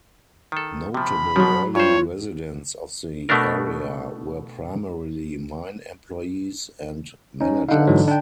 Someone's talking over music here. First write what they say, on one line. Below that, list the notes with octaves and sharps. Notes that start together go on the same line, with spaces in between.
Notable early residents of the area were primarily mine employees and managers.
D#3 A4
C3 F3 B5
B2 F3 F#3
G2 F4 C5 C#5
B2 A3 B3 D4 A#4
C#4 D#4
D3 D#4 F5 F#5
G#2 E3 F#3
D4 G5